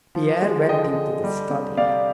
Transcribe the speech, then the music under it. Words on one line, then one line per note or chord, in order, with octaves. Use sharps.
Pierre went into the study.
F3
G#3
D3 D#5 G5
D3
G3
C3
C3 D5 F5